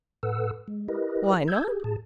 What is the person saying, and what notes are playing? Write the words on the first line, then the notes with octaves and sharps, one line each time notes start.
"Why not?"
A2 A4 B4 F#5 E6
G#3
E4 G4 A#4 B4 D#5
E6 G6 G#6
G4 G#4
A2 G#4 A5